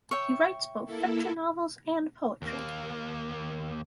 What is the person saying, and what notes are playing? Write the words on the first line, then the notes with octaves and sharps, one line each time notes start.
He writes both fiction novels and poetry.
C#5 E5 G5
A#3 E4 A4
D#2 A#3